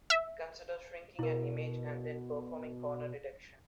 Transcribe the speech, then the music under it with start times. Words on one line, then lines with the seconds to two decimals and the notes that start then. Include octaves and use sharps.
Consider shrinking an image and then performing corner detection.
0.10 E5
1.19 B2 E4 A#4